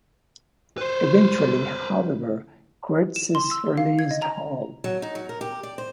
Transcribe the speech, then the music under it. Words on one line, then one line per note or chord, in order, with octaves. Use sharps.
Eventually, however, Kiritsis released Hall.
B4 C5
E7
C6
E6
F5
G#6
D#5
A#5
F#3
D#4
F#3
A#4
G4
D5
C5